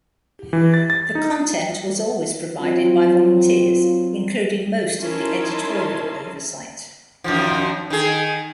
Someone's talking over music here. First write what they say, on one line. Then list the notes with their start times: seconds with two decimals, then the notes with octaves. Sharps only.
The content was always provided by volunteers, including most of the editorial oversight.
0.53 E3
0.74 A6
0.90 A6
1.15 D#4
2.60 F#3 C4 F4
5.01 C#4 D#4 E4 A#4 A5 C6
7.24 F#2 D#3 F3
7.90 D#3 G#4